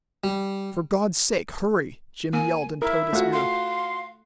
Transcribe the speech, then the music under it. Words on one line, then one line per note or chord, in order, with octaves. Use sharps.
"For God's sake hurry!" Jim yelled in Tode's ear.
G3
A#3 G#5
E4 A#4 E5
A3 F4 F#4
F5 C6